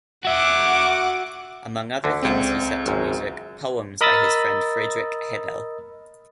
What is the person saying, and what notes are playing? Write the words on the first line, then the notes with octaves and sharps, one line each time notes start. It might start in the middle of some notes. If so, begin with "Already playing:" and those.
Among other things he set to music poems by his friend Friedrich Hebbel.
F#4 E5 F#5 D6
D2 D3
C#2 C4
G#1 F#2
A#4 D#5 B5 D#6 E6 A6